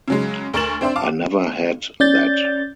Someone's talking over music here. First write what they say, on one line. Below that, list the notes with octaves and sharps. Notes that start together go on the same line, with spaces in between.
I never had that.
C#3 F#3 G#3
D2 A#4 C#6 A6 E7 F#7
C4 D4 C5 E5 G5 C6
F5 A5 D6
C#4 D5 G6 A6